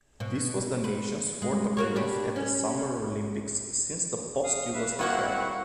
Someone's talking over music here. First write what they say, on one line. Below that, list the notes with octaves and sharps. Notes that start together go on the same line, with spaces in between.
This was the nation's fourth appearance at the Summer Olympics since the post-Yugoslav era.
B2
B4
G#3
F#4 A#4 C#5
D4 G4 B4
C#4
F5 D#6
B4 E5 F5
G2 A#3 C4 E4 F#4 F#5